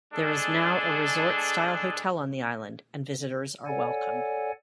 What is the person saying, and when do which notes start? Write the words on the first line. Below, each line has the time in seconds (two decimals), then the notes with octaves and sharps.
There is now a resort style hotel on the island and visitors are welcome.
0.13 G#3 D4 G#4 A4
3.66 A4 C#5 D5 F#5 G#5